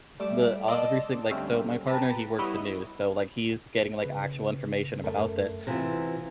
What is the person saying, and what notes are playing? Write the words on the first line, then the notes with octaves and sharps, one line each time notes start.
the uh, every single like, so, my partner, he works at news, so, like, he's getting, like, actual information about this,
G3 A3 D6 E7
D5 D#5 A5 C6 D6 E6
D3 F#3 G3 A3 C4 C#4
G4 B4 A5 A#5
G3 B3 E4 B4 C#5 D#5
C#3 B4
F#2 A3 A#4
C3 E3 B3 F4 A#6